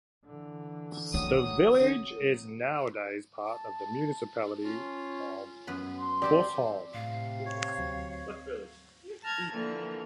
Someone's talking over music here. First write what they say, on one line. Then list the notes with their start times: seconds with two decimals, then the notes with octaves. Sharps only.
The village is nowadays part of the municipality of Korsholm.
0.25 D3 E3
1.14 F#3 C4 D#6
3.44 A5
4.65 C#4 F4
5.67 F#2 B3 B4
5.99 C6
6.22 C4 G4 D5 A5
6.94 A2 C3 F5
7.46 C#5
7.78 D2 F#3 C4
9.23 A5 A#5 F6 G#6
9.52 D3 E3 F3 A#3